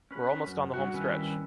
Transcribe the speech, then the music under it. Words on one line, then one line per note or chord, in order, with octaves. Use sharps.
We're almost on the home stretch.
C#4 B4
F#2
G2 B2 F#4
G2 D#3 C#4 E4 B4